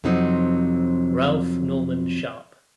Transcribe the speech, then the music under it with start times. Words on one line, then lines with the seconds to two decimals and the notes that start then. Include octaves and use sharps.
Ralph Norman Sharp.
0.04 F2 C3 F#3 C4 D#4